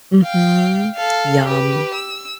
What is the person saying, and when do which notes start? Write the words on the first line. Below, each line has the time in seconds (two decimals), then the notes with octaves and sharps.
Mhm. Yum.
0.22 F5 G5
0.95 A4 F5
1.47 G4 B4
1.94 E6